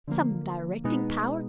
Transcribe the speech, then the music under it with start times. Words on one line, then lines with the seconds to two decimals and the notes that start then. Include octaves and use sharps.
Some directing Power.
0.07 D3 F3 A#3
0.84 B2 G#3 B3 D#4